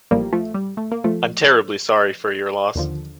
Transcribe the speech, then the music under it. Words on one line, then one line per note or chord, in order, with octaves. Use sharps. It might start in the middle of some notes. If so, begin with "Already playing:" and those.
I’m terribly sorry for your loss.
A1 A2 F3 G3 A#3
F3 A3
G3
A3
A#3
F3 A3
D#2 D3 F3